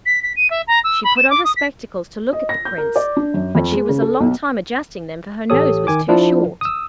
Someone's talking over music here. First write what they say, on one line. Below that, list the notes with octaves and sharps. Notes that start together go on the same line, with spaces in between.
She put on her spectacles to look at the Prince; but she was a long time adjusting them, for her nose was too short.
B6
B6
D#7
E5
A#5
E6
B5
E7
D6
D#6
B6
D#5
A#6
G6
A#4
D5
D4
F#2
F2
G#3
C#3
A4
B1
A1 G4 A4 C#5 D#6
D#3 G#5 D6
F3 D4 E4 F4
D#6 E6